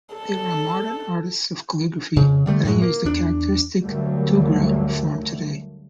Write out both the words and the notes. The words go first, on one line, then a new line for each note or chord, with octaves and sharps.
There are modern artists of calligraphy that use the characteristic tughra form today.
A4
F2 C#3
D3 G3 A3
F#2 A2 F#3 G#3
A#3
E2 D4
D2 G2 F#3 G3 A3 A#3